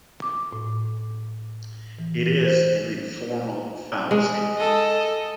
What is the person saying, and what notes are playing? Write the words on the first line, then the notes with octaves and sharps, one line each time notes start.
It is an informal fallacy.
D6
A2
E3
C5
G#3
A4 D#5